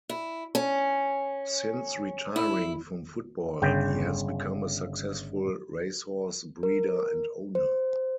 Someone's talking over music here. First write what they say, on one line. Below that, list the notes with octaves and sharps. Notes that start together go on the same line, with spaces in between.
Since retiring from football, he has become a successful racehorse breeder and owner.
E4
C#4
E4
G1 C#3 G5
A#4
C5